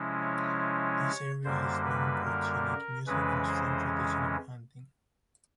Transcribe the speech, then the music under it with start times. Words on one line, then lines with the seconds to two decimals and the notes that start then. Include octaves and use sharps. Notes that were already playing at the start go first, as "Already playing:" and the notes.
This area is known for its unique music and strong tradition of hunting.
Already playing: C3 F3 G#3 C#4 E4
0.22 C#5
1.44 F#2 D3 G3 A#3 C5
1.85 B4
2.26 A#4
3.07 F2 C#3 E3 G#3 C#4 B4
3.48 C5